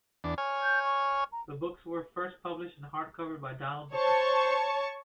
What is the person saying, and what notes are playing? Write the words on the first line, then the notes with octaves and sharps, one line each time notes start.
The books were first published in hardcover by Donald the First.
E2 D4
C#5 G#5 F6
G6
C#6
A#5
C5 C#5 A5 C#6